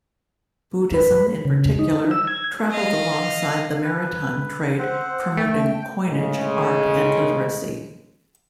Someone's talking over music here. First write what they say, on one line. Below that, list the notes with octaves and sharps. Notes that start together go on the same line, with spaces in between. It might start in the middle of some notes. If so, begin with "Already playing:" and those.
Buddhism, in particular, traveled alongside the maritime trade, promoting coinage, art and literacy.
B4
C#3
D#4
E6
G#6
D#5 F5
B4
C4 C5 F#5
A3 G5
A2 C#3 G#3